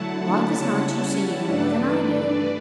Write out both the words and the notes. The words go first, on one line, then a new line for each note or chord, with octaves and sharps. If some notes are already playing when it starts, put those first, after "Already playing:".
"Like as not you see even more than I do!"
Already playing: D3 F#3 A3 E4 F#5 A5
C#3 G3 C#4 E4
G2 E3 A3 D4 B4 D5